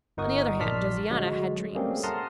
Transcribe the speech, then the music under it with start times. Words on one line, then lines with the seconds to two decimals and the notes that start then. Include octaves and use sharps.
On the other hand, Josiana had dreams.
0.17 G1 D#4 A#4 F#5 C#6 D#6
0.60 A#1 D5 A5 C6 F6 B6
1.10 D3 F#3 G#3 F#4
1.75 G3 A3 A#3 C4 C#4 G#4
2.03 F#5 A5 A#5 C6 D#6 F6